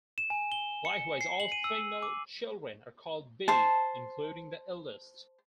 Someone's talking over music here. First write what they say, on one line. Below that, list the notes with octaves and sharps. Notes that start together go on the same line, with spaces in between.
Likewise, all female children are called "Biddy", including the eldest.
E7
G#5
G7
C#7
C7
F#7
D#7
E6
D6
C5 A5